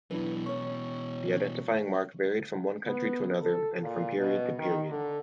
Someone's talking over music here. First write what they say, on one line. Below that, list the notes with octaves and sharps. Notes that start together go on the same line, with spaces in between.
The identifying mark varied from one country to another, and from period to period.
B2 E3 F#3 D4 E4 B4
C#4 C#5 C#6
B3
A4
A#2
B2
D#3
D3